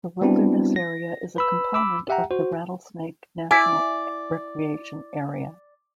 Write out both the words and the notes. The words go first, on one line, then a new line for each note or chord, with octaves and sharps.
The wilderness area is a component of the Rattlesnake National Recreation Area.
G3 B3 C4 D4 E4 F#4
A#6
B4 B5 E6
B5 D6 E6
G4 E5 F#5 G5 A#5
F#4 C5
E4 D5 G#5